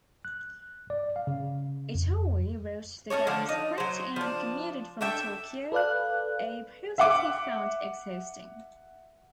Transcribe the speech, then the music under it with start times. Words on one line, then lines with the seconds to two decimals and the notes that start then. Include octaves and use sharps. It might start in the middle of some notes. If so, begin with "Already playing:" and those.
Itoi wrote the game's script and commuted from Tokyo, a process he found "exhausting".
0.25 F#6
0.90 D5
1.16 F5
1.27 C#3
1.95 F2
3.10 C#4 D#4 A4 C#5
3.27 D3 F3 D4
3.49 D#4
3.78 F#3 C5
4.16 F3 D4
5.01 A3 D4 E5 G5
5.72 A4 B4 D5 F5 F#6
6.98 E5 F#5 D6